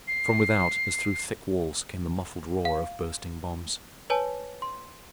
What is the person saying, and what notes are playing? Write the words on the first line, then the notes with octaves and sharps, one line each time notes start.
From without, as through thick walls, came the muffled roar of bursting bombs.
C7
F5
B4 C#5 G#5 A5
C6